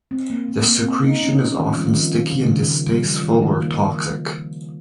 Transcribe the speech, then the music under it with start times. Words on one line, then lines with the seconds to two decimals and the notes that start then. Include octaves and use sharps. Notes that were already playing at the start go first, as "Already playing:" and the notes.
The secretion is often sticky and distasteful or toxic.
0.11 C4
0.30 A#3
0.48 A#3
0.66 A#3
0.85 C4
1.03 D#4
1.22 C#4
1.58 D#3
1.69 F3
1.77 G3
1.86 D#3
1.95 F3
2.14 D#3
2.32 C#3
2.50 D#3
2.69 F3
2.87 G3
3.05 F3
3.23 D#3
3.34 F3
3.42 D#3
3.61 A#3